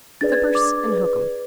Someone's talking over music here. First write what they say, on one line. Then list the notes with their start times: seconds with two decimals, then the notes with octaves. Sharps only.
Clippurse and Hookem.
0.21 D4 G#4 B4 D5 A6
0.32 G#6
0.55 D6
0.88 G#4 B4 D5